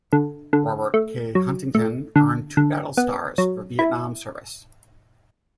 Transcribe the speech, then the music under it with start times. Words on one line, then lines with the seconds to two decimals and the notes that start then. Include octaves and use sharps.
"Robert K. Huntington" earned two battle stars for Vietnam service.
0.13 D3
0.53 D3
0.94 A3
1.35 F#3
1.75 A3
2.16 D3
2.57 D3
2.97 B3
3.38 F#3
3.79 E4